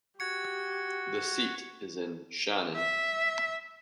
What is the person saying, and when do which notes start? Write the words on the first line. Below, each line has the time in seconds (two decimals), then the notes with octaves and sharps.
The seat is in Shannon.
0.20 F#4 G4 G#6 C#7
2.76 E5